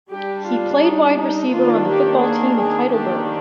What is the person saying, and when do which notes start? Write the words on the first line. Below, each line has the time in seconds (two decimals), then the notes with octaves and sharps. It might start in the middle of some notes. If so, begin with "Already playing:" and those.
He played wide receiver on the football team at Heidelberg.
0.11 G3 D4 G4
0.46 F4
0.81 D#4
1.17 D#4
1.51 D#3 A#3 D4 F4
1.87 G4
2.23 G#4
2.57 G#4
2.92 D#3 A#3 D4 G4